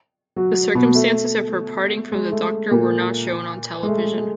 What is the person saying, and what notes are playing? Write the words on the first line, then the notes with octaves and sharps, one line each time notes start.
The circumstances of her parting from the Doctor were not shown on television.
F#3 F#4
B2 B3
A3
G#3
A3
A#2 A#3
G#3
A3
G#3